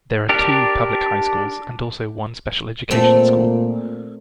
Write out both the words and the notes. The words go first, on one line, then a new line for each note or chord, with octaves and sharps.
There are two public high schools, and also one special education school.
D4 G4 A#4
A#2 A3 C4